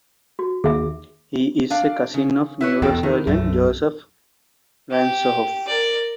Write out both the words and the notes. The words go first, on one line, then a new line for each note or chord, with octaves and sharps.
He is a cousin of neurosurgeon Joseph Ransohoff.
F#4
D#2 G#4 E5
D4 D5 F5
C#3
E4 B4 C#5
E2 B2 F#4 A4 G5
A2 D#3
B1 F#2 A3
G4
A#4 D5